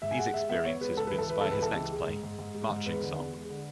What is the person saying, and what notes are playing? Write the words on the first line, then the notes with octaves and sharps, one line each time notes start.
These experiences would inspire his next play, "Marching Song".
G#2 E5
G#5
G#3 F#5
G#3 E5
B3 E5
B3 C#5
G#3 B4
C#2 A4
B4
E3
A4
E3 B4
C#2 A4
B4
E3 A4
C#2
G#3
G#2
G#2
G#2
G#3
G#2
E2 B4
D3
E2
G#3
D3